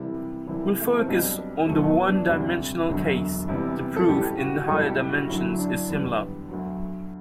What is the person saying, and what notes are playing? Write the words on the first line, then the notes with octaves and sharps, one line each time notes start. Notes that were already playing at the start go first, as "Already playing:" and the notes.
We'll focus on the one-dimensional case, the proof in higher dimensions is similar.
Already playing: C2 C3 E3 G3 E4
C2 C3 E3 G3 E4
A3
B3
C4
B1 B2 G3 D4
E2 B2 F#3 A3
B3
D4
D2 C3 G3
E1 D2 D3 F#3
E2 C3 E3 G3 E4
A4
A1 A2 G3 G4
F#4
B1 A2 G3 A4
G4
F#4
F#4
D2 D3 F#3 E4
D4
E2 D3 G3 B3
D2 D3 F#3